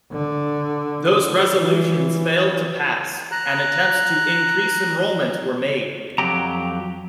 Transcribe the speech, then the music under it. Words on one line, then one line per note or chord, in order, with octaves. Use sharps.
Those resolutions failed to pass, and attempts to increase enrollment were made.
D3
E3
A#5 F#6
F2 F#3 G4 A#5